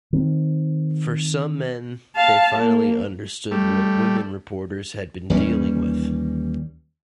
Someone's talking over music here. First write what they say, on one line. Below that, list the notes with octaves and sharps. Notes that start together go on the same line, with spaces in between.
For some men they finally understood what women reporters had been dealing with.
D#3 C4
F5 A5
A#3
G3 A3
D#2 E3 G3 C#4